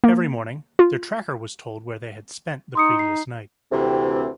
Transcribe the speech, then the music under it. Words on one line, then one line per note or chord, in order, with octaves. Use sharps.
Every morning, their tracker was told where they had spent the previous night.
A#3
F4
D#4 C6 D#6 C#7
C7
D2 C3 E3 C4